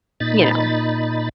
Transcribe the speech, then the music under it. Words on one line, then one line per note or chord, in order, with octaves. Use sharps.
you know
A#2 D#4 B5 A6